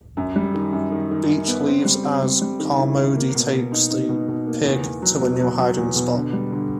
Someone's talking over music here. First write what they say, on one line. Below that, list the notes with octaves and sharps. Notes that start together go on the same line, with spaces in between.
Beach leaves, as Carmody takes the pig to a new hiding spot.
F#2
G3
D#3
F#2
D#3
D#3
D#3
B3
C4
G3
C4
G3
G3
D#3
E4
D#3
A#3
B2
B2
D#4
D#4
B2
B2
A#3
E2
E2
F#3
B2
F#3
F#3
E2
B2
D3
G3
D3